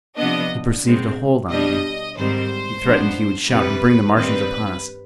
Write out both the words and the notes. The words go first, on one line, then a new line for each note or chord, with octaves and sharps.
He perceived a hold on me--he threatened he would shout and bring the Martians upon us.
C3 F3 B3 D4 D#5
B2 G#3 C4
B2 G3 D4 D#5
G#2 D#3 G3 C4 C5
G#2 F3 B3 D4
F2 C3 G3 B4
G2 D#3 G3 C4 B4